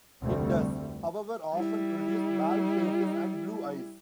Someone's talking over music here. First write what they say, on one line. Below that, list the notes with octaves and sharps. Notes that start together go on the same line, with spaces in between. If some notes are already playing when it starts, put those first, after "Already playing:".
It does, however, often produce bald faces and blue eyes.
F1 D2 G3 A3 C4
G3 E4